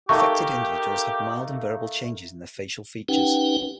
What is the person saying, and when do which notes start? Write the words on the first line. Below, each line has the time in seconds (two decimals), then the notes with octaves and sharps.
Affected individuals have mild and variable changes in their facial features.
0.09 A3 A#3 D#4 G4 C#6
3.08 C#4 D#4 G4 B4 F#5 G5